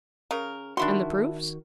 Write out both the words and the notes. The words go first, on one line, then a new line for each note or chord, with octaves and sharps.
"And the proofs?"
C#3 A#4
D#3 D4 E4 F#4 C6